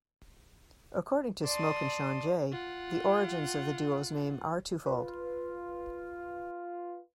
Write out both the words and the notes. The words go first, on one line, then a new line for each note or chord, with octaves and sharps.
According to Smoke and Shawn Jay, the origins of the duo's name are twofold.
D5 A5 C6 D#6
F4 F#5
F4 B4